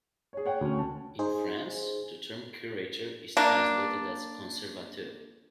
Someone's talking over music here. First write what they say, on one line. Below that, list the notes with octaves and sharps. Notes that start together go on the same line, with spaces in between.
In France, the term curator is translated as "conservateur".
G#4 C#5
C#5 F#5 G5
D2 C#4
A5
D#4 G#4 C5
A#3 D4